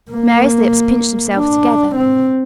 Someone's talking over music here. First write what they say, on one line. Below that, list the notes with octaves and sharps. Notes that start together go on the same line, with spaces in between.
Mary's lips pinched themselves together.
A#3
D4
C4